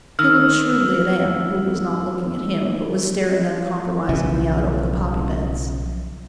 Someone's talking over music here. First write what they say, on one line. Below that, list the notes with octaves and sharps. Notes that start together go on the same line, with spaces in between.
He looked shrewdly at Anne, who was not looking at him, but was staring uncompromisingly out over the poppy beds.
D#3 E6 F6
B1 C#3 F3